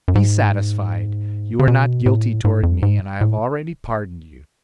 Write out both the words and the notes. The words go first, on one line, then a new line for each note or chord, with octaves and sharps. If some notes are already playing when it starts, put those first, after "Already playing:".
"Be satisfied; you are not guilty toward me, and I have already pardoned you."
F#2
G#2
C#3
B2
A2
G#2
F2
G#2
A2